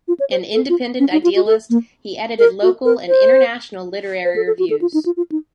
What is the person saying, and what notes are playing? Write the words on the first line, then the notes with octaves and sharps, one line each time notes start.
An independent idealist, he edited local and international literary reviews.
F4
C#5
C5
A4
F4
C#4
D#4
F4
F#4
A4
A#3
A#4
F#4
A#4
C5
C5
A4
A4
F#4
A4
F4
D#4
F4
F4
D#4